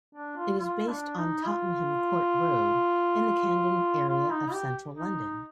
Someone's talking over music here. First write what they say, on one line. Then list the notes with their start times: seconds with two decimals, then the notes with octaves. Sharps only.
It is based on Tottenham Court Road in the Camden area of Central London.
0.15 D4
0.37 F4
0.58 F4
0.88 D4
1.17 D#4
1.46 F4
4.09 F4
4.31 D#4
4.53 G4
4.96 D#4